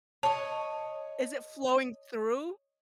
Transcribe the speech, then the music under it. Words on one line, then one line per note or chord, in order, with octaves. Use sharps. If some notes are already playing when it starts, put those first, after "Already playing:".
is it flowing through?
C#5 D#5 A5